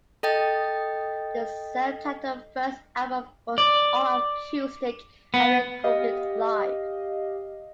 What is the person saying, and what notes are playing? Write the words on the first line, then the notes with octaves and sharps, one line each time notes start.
The self-titled first album was all acoustic and recorded live.
A4 D#5 G5 A6
D5
B3
G4 D#5 F5